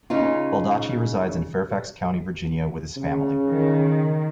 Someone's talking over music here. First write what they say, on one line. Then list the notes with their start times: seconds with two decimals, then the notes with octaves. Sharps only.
Baldacci resides in Fairfax County, Virginia, with his family.
0.10 C#3 C#4 D#4 F4
2.97 C#3
3.48 D#3